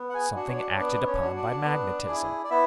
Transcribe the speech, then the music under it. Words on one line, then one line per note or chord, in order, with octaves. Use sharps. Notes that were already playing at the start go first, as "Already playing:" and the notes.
Something acted upon by magnetism.
Already playing: B3
F#5
G#4 G#5
D4 F#4
C#5
D4 D5
C#5
B3 D4 D5
C#4 C#5
D4 F#4
D4 D5
B3
E4 G#4
D5
B3 E4 E5